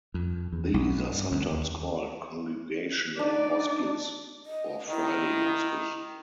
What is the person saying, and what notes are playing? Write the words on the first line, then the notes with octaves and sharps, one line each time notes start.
These are sometimes called Congregational mosques or Friday mosques.
F2
E2
B1
G2
D2
D#2
D4 D#4 D5
D#5
D#3 E4